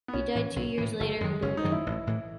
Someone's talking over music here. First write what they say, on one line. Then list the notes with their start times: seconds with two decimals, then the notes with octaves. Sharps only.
He died two years later in Buda.
0.08 B3
0.14 B1 C#4
0.35 A2 E3
0.56 B1
0.78 A2 E3
1.00 F#1 A3
1.21 F#2 D#3 F#3 G#3
1.42 F#1 C#4
1.57 D#4
1.64 F#2 D#3 F#3
1.72 E4
1.86 A1
2.07 A2 E3